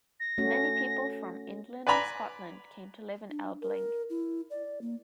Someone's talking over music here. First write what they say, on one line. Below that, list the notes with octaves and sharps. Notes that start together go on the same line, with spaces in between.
Many people from England and Scotland came to live in Elbling.
A#6
A3 C#4 F#4
B4 D5 G#5 A#5 B5
D4
A#4
E4
D5
A#3